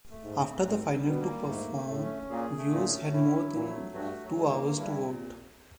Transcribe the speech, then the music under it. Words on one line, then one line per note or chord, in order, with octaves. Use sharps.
After the final two perform, viewers had more than two hours to vote.
A3
G#2
C4
G#2 G3
G3
B2
A#3
G#2 A3
A3
A2
C#4
A#2 G#4
A3
A#2
C#4
A2 E4
F#3
A#2
A3
G2 F#4
F#3
G#2
A#3
G2 E4
A#2